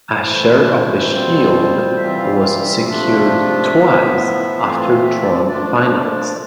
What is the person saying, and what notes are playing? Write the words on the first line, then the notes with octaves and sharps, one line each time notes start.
A share of the shield was secured twice after drawn finals.
E3 A3 E4 C5
B2 G3 C4 F4
C3 E3 G3 C4 F4 E5
F5
F5
E5
C3 F3 A3 D4 F4 E5
A2 F3 B3
E3 A3 C4 F4 F5
F5
E5
D5
F3 A3 D4 F4 D5